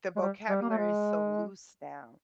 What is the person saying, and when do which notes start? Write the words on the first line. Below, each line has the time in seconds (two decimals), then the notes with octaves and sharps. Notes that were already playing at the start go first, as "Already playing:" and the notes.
the vocabulary is so loose now.
0.16 G#3
0.21 G3
0.49 G3
0.62 A#3
0.69 A3
0.77 G#3